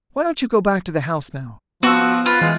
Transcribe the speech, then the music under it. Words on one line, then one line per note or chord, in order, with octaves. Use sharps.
"Why don't you go back to the house now!"
F3 B3 F#4 C#6 E6
F4 B4
E3 G#3